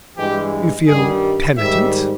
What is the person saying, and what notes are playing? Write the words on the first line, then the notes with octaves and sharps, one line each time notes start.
"You feel penitent?"
G2 E3 G#3 G4
G2 D#3 G3 G#4
G#2 D#3 G3 E5